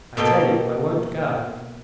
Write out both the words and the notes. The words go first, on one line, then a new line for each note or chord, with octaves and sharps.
"I tell you I won't go."
B2 A#3 A4 G5